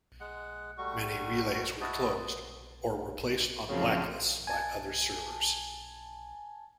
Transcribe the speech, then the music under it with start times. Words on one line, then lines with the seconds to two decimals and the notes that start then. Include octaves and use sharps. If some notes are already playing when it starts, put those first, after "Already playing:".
Many relays were closed, or were placed on blacklists by other servers.
0.20 G#3 F#5
0.78 G3 A3 F#4 C#6
1.81 E4 F#4 D#5 A5
3.69 F#2 C#3 F3 C4
4.47 G#5 A5